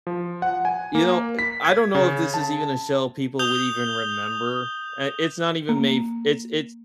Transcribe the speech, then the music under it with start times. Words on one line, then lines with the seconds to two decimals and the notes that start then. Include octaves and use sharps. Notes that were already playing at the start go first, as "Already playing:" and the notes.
you know, eh I don't know if this is even a show people would even remember, and it's not even made f it's it's
0.07 F3
0.42 F#5
0.65 G#5
0.95 A#3
1.39 B6
1.65 G#6
1.95 C#3
2.34 A5
3.39 D#6 G6 F7 G7
5.69 A#3